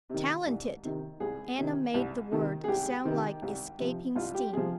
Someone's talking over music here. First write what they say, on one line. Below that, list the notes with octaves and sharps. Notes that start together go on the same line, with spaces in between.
"Talented!" Anna made the word sound like escaping steam.
C3 D#3
C2
C3 D#3
C2 G#4
C3 D#3
C2
C3 D#3
G#4
C2 G4
C3 D#3
C2
C3 F3
C2 F4
G4
C3 F3 G#4